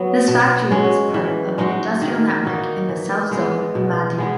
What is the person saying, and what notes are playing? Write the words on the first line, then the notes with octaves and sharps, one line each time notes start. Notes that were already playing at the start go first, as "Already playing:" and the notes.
This factory was part of an industrial network in the south zone of Madrid.
Already playing: F#3 B3
B2
G#3 C#4 F#4
E3
G#3 D#4 F#4
D#3
A#3 D#4 F#4
E3
G#3 B3
B2
G#3 B3 E4